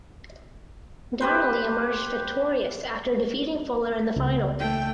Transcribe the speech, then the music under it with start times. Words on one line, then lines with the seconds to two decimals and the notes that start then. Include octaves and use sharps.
Donnelly emerged victorious after defeating Fuller in the final.
1.21 G4 B4 C5
4.16 C#2
4.60 A3 G5